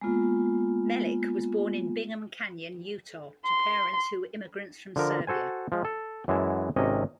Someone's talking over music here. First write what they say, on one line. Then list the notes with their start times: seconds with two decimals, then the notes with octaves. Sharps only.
Melich was born in Bingham Canyon, Utah to parents who were immigrants from Serbia.
0.01 G#3 A#3 B3 F4
3.45 C6
4.96 D3 F3 A#4
5.27 F#4 A4 C5 G#5
5.72 F3 G#3
5.85 A4
6.28 F#2 E3 G#3 E4 A5
6.76 G#1 C3 C#4 D#5 A#5